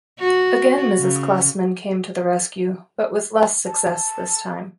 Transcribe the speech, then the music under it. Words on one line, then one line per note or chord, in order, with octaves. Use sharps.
Again Mrs Klussmann came to the rescue, but with less success this time.
F#4
C#3
A5